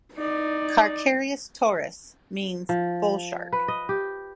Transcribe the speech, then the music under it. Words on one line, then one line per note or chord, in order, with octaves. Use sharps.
"Carcharias taurus" means "bull shark".
D#4 D5
F3
B4
D#5
G4